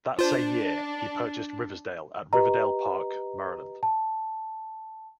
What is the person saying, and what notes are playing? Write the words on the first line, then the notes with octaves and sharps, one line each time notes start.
That same year, he purchased Riversdale at Riverdale Park, Maryland.
D4 F4 C5
G4 B4 D#5 A#5
A5